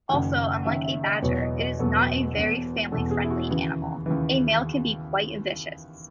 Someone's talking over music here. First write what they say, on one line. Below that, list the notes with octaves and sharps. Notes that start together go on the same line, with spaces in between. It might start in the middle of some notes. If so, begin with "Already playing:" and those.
Also, unlike a badger, it is not a very family-friendly animal, a male can be quite vicious.
F#1 F#2 D#3 F#5
F#1 F#2 D#3 E5
E5
D#5
E1 E2 B2 F#3 B3 C#5
D#5
D#5
E1 E2 B2 F#3 B3 A4
E1 E2 B2
E1 E2 B2 A4
G#4
E4
F#4
D#2 C#3 E3
D#2 C#3 E3